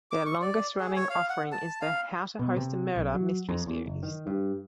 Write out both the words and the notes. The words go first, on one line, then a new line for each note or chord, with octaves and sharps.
Their longest-running offering is the "How to Host a Murder" Mystery series.
D6
C#6
D5
G#4
C#5
F5
F#5
A5
F5
B2
C3
B1
F#3
F2
E2
F#1
D#3
G2